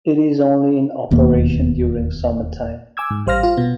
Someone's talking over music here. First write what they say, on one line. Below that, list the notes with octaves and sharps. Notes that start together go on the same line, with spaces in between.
It is only in operation during summer time.
E1 D#2 B2 A#3
G#5 D6 E6 G#6
G#2
A1 G3 C5 F5 F6 A#6
F4
B2 B3